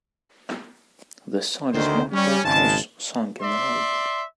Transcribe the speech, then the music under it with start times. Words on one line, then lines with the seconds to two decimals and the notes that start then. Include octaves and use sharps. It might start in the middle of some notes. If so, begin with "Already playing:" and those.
The site is marked by a cross sunk in the road.
1.73 D2 D#3 C5
2.12 G3 C#4
2.44 G#1 C#3 G#3 A5
3.42 D5 E5 C6